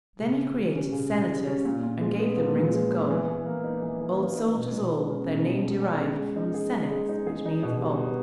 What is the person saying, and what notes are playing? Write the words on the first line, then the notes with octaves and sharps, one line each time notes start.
Then he created Senators, And gave them rings of gold; Old soldiers all; their name deriv'd From 'Senex' which means 'old.'
C#3
C#3
G3
C#4
C#3
C#3
G3
C#4
A#2
A#2
G#3
B3
A#2
A#2
G#3
B3
E3
E3
A#3
D#4
E3
E3
A#3
D#4
B2
B2
G#3
C#4
B2
B2
G#3
C#4
G#3
G#3
D#4
G#4
G#3
G#3
D#4
G#4
D#4
B2
G3
B3